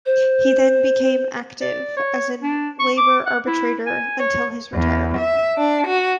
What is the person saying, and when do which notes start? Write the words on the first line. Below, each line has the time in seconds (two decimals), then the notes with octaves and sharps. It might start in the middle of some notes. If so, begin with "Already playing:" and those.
He then became active as a labour arbitrator until his retirement.
0.06 C5
1.62 D5
1.97 C#5
2.42 D4
2.80 C#6
2.97 D6
3.26 F#5
3.47 E4
3.87 G#5
4.20 C#5
4.74 E2
5.18 E5
5.58 D4
5.87 F#4